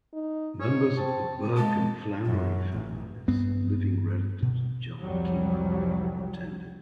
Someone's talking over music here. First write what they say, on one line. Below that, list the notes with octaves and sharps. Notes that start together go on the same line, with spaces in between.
Members of the Burke and Flannery families, living relatives of John King attended.
D#4
G#2 C#5
C4 A5
G#3 A#3 A5
F#2
A1
G2 B3 C4
B2
C2 F2 F#3 G3